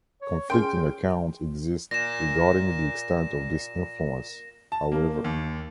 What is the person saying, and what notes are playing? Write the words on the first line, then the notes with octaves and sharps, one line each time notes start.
Conflicting accounts exist regarding the extent of this influence, however.
C#5
C#4 G#4 A#4 G5 C6
A#2 A#6 E7
A5
A#3
D#2